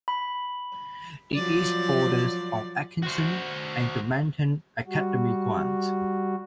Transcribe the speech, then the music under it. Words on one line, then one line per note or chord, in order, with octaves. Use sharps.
The east borders on Atkinson and Gilmanton Academy Grant.
B5
F3 F#3 D5
F#4 C5
G3 F#4